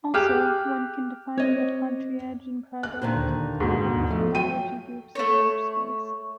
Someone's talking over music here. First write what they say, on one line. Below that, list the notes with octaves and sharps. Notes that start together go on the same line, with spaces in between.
Also, one can define the Pontryagin product on the homology groups of an H-space.
G4 G#4 D6 F6 F#6
C4 C#5 D#5
F#6
A#2 D3 D#3 C4
D#2
D#2 G#2 B2
F3 A3
F#3 G5 D#7
A3 C#5